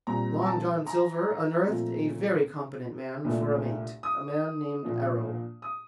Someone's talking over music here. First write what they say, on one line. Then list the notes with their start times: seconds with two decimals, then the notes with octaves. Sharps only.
Long John Silver unearthed a very competent man for a mate, a man named Arrow.
0.07 A#2 G3 C4 A#5
0.42 A#5
0.46 A5
0.87 A#5
1.66 A#2 F3 A3 C4
3.24 C2 A#2 A3 D4
4.03 D#6
4.83 A#2 F3 A#3 D4
5.62 D#6